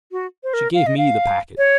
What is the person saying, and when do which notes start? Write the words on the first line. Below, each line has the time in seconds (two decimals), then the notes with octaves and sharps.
She gave me the packet.
0.12 F#4
0.44 C5
0.54 A#4
0.74 F5
0.87 D#5
0.98 F5
1.58 C#5